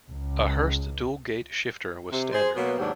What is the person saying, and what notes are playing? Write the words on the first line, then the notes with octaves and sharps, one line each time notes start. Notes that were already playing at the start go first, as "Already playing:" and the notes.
A Hurst Dual Gate shifter was standard.
C#2
C3
G#4 C5
B2 F#3 A#3 B3
D#2 G#2 F#3 D4 G4